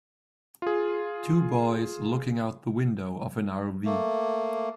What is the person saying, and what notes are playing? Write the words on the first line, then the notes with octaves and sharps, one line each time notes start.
Two boys looking out the window of an RV.
F4 G#4
A3 A#3